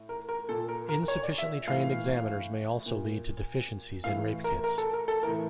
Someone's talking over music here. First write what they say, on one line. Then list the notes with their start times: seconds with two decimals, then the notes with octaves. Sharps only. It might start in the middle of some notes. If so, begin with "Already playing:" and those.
Insufficiently trained examiners may also lead to deficiencies in rape kits.
Already playing: A2
0.09 A#4
0.29 A#4
0.49 A#2 A4
0.69 A#4
0.89 A#4
1.08 C#5
1.23 D5
1.38 E5
1.67 A2 E3 F5
2.86 A#2
4.04 A2 E3 F5
4.44 A#4
4.64 A#4
4.78 A4
4.93 A#4
5.08 A4
5.23 E3 A#4
5.27 A2